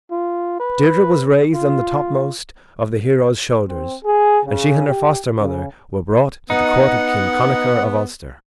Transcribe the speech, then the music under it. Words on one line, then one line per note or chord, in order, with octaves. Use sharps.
Deirdre was raised on the topmost of the heroes' shoulders and she and her foster-mother were brought to the Court of King Connachar of Ulster.
F4
B4
F4
C4
G#4
C#3
G4
C#3
B3 D#4 F#5